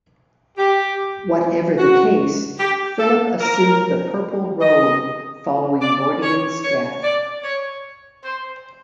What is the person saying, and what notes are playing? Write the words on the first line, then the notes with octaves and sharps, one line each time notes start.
Whatever the case, Philip assumed the purple robe following Gordian's death.
G4
F#4
G4
A4
A#4
D#5
D5
C#5
C#5
D5
C#5
C5